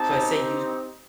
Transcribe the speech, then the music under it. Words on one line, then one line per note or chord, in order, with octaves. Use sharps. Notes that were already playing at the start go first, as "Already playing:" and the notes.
So I say use
Already playing: C4 D#4 G4 A5